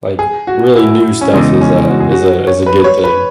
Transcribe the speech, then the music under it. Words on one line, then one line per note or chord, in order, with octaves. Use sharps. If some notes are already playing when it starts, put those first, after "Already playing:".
like, really new stuff is a is a is a good thing.
G#4
F#4
E4
C#4
E2 C#3 G#3 D#4
C#4
F#4
G#4
F#4
C#5
B4
C#5
B4